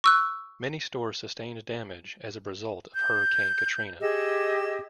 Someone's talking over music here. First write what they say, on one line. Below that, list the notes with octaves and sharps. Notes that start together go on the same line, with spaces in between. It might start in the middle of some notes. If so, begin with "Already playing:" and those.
Many stores sustained damage as a result of Hurricane Katrina.
C#6 E6 F#6
G6
G4 G#4 D#5 E6